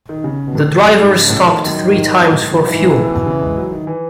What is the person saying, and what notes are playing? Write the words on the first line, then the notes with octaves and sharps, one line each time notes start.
The drivers stopped three times for fuel.
D#3
C#3
B2
A2
F#2 G#3
G#2
G#2 C#3
A2
A2 D#3
F#2
G#2
F#2
A2
G#2
F#2
G#2 E3
B2
A2
B2
C#3
G#3
F#3
D#3
E3